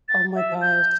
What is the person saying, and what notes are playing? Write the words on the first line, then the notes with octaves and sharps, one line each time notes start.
Oh my gosh.
A6
E5
G6